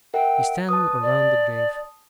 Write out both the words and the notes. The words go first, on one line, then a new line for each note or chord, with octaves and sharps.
We stand around the grave.
A#4 E5 F#5 G5
B4 A5 D#6
D5